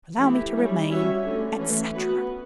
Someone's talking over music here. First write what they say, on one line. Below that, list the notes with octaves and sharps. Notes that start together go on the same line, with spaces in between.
Allow me to remain, etc.
E3 A3 E4 G4
G3 C#4 E4
G3 C#4 F#4 C#5 E5
D3 A3 C#4
E3 A3 C#4
B3 F#4 B4